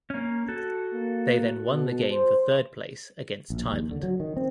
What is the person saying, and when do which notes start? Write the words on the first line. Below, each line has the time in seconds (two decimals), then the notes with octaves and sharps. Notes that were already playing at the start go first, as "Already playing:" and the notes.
They then won the game for third place against Thailand.
0.10 A#3 C#4
0.48 F#4 A4
0.94 A#3
1.68 B2
2.10 C5
3.50 A#1
3.72 D#2
3.91 D3
4.03 F#3
4.20 D#3
4.37 C4